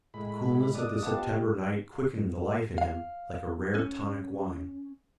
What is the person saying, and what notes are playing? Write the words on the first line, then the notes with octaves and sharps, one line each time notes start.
The coolness of the September night quickened the life in him like a rare, tonic wine.
A2 G#3 B5
D4 D5 D#5 D#6
B3 F4 G4 C5 F#5 A5
F5
C#4